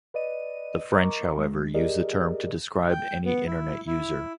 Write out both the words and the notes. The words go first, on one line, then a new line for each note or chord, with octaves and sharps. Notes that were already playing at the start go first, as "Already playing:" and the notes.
The French, however, use the term to describe any Internet user.
B4 D5 D#5 D#7
A#4 D#5 A#5 C#6 D6
G#3
G4 G#4 A#4 D5 D#5
G5
B3
E4
E4